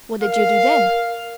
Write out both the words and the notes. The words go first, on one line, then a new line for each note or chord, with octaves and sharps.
"What did you do then?"
A#4 F5